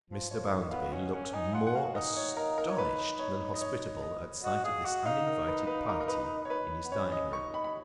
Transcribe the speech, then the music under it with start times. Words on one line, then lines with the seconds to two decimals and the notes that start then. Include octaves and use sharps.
Mr. Bounderby looked more astonished than hospitable, at sight of this uninvited party in his dining-room.
0.10 F3
0.30 F3 C#5
0.51 D#3 D#5
0.71 B3 F5
0.93 C#4 F#5
1.13 C#4 F#5
1.34 D#4 G#5
1.54 F4 F#5
1.67 F#5
1.75 F#4 F5
1.95 D#4 D#5
2.17 C#5
2.36 D#4 A#4
2.58 A#4
2.70 C#5
2.78 B4
3.19 C#5
3.54 D#5
3.61 C#5
4.02 D#5
4.43 F#4 D#5
4.64 G#4 F5
4.84 F#4 F#5
5.05 D#4 F5
5.27 A#4
5.47 B4
5.67 B4
5.89 A#4
6.00 A#4
6.08 B4
6.45 C#5
6.50 B4
6.84 B3
6.91 C#4 C#5
7.12 D#5
7.32 D#4 C#6
7.54 B5
7.64 B5